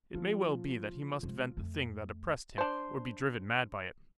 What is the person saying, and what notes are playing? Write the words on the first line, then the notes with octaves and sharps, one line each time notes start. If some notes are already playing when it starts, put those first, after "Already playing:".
It may well be that he must vent the thing that oppressed him or be driven mad by it.
F3 A3 C#4 F4
C3 G#3
F2 A3
D4 C5